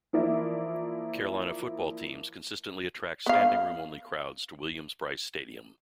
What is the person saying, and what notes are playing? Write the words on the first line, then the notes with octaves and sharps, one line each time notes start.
Carolina football teams consistently attract standing-room-only crowds to Williams-Brice Stadium.
E3 F3 A#3 E4 D5 E5
B3 F5